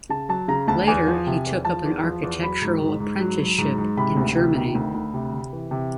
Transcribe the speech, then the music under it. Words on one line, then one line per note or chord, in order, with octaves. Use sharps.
Later he took up an architectural apprenticeship in Germany.
C#3 A5
F#3 A5
C#3 A#5
D2 A5
E2 G#5
F3
C3
E2
F3 A5
E2
F3
E2
F#3 B5
G#2
G#2
G#2
F#3
F#3
G#2
G#2
C3 B5
D2
C3
D#3
D2
D2
C3
C3
E3
C3